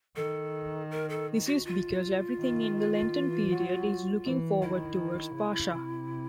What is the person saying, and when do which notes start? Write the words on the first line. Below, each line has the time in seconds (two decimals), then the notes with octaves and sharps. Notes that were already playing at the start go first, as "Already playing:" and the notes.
This is because everything in the Lenten period is looking forward towards Pascha.
0.16 D#3 A4
0.91 A#4
1.09 A4
1.46 F#4
1.65 F4
2.39 D#3
3.14 E3
3.51 F#3
4.25 E3
4.61 D#3 E4
5.36 C#3
5.73 C3